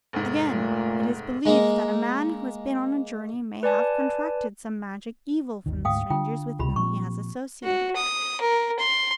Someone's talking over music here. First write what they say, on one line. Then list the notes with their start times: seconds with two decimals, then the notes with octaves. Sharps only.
Again, it is believed that a man who has been on a journey may have contracted some magic evil from the strangers with whom he has associated.
0.13 F1 G#2
0.49 A#2 A3
1.45 G#3 A#3
3.63 B4 D5 G#5 A5
5.66 G1 D#2 D#3
5.85 D2 G#2 G#3 F5 G5 D#6
6.10 D3 F4 G5
6.59 C#2 C3 F4 G4 B5
6.76 A#2 F3 C4 C#6
7.63 F#4
7.96 D#6
8.41 A#4
8.79 C6